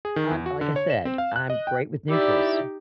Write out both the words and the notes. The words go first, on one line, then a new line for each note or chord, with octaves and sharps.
Um, like I said, I'm great with neutrals
G#4
D#3
E2
F#4
D3
C#5
E7
C4
F5
F#6
D#5
G5
D#4 E4 G4 D5 E5